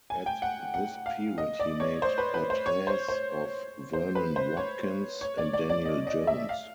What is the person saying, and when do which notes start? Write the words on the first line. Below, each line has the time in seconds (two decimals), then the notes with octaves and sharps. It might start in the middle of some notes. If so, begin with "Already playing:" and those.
At this period he made portraits of Vernon Watkins and Daniel Jones.
0.10 G#5
0.26 G5
0.42 F#5
0.74 F#5
1.06 F5
1.38 D#5
1.60 D5
1.80 C#5
2.02 C5
2.18 B4
2.34 B4
2.50 C5
2.66 C#5
2.87 C5
3.08 C5
3.93 C5
4.15 B4
4.36 C5
4.57 C#5
5.21 C#5
5.38 D5
5.53 D5
5.69 D5
5.85 D#5
6.07 D#5
6.27 E5
6.49 F5